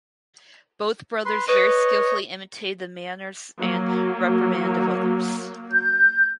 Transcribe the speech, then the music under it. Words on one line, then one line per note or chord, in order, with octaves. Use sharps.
Both brothers very skillfully imitated the manners and reprimand of others.
B4 C6
B4 C#5 D#5
F#3 A#3
G6